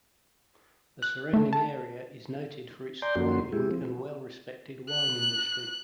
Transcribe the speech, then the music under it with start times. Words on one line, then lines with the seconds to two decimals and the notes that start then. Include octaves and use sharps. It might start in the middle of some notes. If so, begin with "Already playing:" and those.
The surrounding area is noted for its thriving and well-respected wine industry.
1.02 F#6
1.33 A3
1.53 A5
3.02 D5 G#5 A#5 C6 G6
3.16 F#2 F3 A#3 C#4 F#4 C6
3.52 G#3 E4 G4 G#4
3.71 F3 C4
4.90 F#6